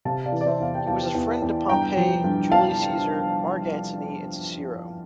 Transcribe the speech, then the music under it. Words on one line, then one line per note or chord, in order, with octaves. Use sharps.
He was a friend to Pompey, Julius Caesar, Mark Antony and Cicero.
C3 F5 A5
D5 F5
E3
D5
C5 E5
E2 F5
G5
E2 F5 A5
E2
E2
G2 G5 A#5
F3
G2
F5 A5